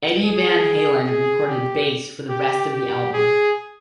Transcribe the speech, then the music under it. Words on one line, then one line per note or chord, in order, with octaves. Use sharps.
Eddie Van Halen recorded bass for the rest of the album.
G#4
G#4
G4
G4
G4
G#4